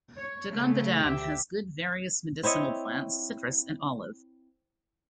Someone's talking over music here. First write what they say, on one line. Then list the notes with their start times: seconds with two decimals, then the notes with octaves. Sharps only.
Dogonbadan has good various medicinal plants, citrus and olive.
0.17 C#5
0.52 C#3 A3
1.02 D2 G4 E5
2.43 C4 E4 C#5 D#5